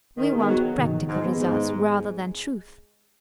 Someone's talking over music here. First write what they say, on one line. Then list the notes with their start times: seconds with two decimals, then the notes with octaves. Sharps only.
We want practical results rather than truth.
0.18 D#3
0.32 D#3 B3 G#4
0.47 F#3
0.78 D#3
1.08 G#2
1.23 B3 G#4
1.39 G#2
1.69 G#3